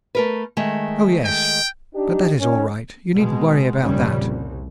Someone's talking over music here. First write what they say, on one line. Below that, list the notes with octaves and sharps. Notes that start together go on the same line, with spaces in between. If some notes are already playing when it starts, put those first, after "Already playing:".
"Oh yes! but that is all right; you needn't worry about that!"
A3 A#4 B4
D#3 G#3 A3
G5
D4 D#4 G4
D#3 C#4
B2 G#3
F1 D#2 A#2 C#3 G3 C#4
C2